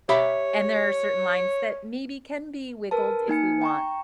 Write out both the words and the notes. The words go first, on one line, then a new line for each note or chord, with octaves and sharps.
and there are certain lines that maybe can be wiggled if we want
G4 C#5 E5 B5
A#4 B4 A5
A#3 D#4 G#5 C#7
G5 A#5 C#6